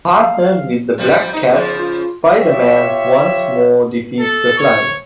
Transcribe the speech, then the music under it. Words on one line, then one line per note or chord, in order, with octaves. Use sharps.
Partnered with the Black Cat, Spider-Man once more defeats the Fly.
F5
F3 G3
D#4
C#3 F3
F4
F4 G4 C#5 E5
A4
C#5